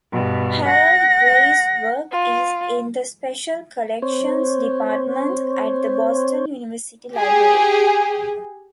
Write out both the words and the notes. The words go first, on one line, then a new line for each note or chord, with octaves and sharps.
Harold Gray's work is in the Special Collections Department at the Boston University Library.
G2 B2
F#5 A#6
F4
C4 C5 C#5
G4 G#4